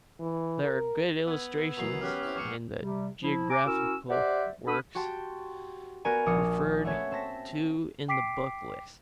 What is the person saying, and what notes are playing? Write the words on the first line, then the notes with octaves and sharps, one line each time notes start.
There are good illustrations in the geographical works referred to in the book list.
E3
A#4
B3 E6 G#6
D#3 E3 F#3 C7 F7
C#4 G4 F6 F#6
C4 E4
F2 G#2 C#6 D6 C#7
C3 G3
F3 E4
G#5 A#5 D6
C#4 E4 F#4 A#4 E6
G4 C5 D5 E5 F#5
B3 D4 A4 B5 D#6
F#4 G4 G5 A5 C6
B3 F#4 A#4 D5 G#5 A#5
A#1 D6 D#6 F6 C#7
A3 B3 C#4 C#5 E5
C4 A5 A#6 B6
G5 D6 B6 C7 D7